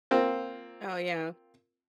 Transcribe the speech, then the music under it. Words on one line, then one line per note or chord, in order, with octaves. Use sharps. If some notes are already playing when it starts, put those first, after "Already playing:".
Oh, yeah.
A#3 C4 F4 C5